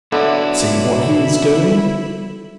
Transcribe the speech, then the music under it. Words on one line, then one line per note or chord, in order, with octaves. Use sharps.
See what he is doing.
D3 B3 E4 F#4 A4 C#5 E5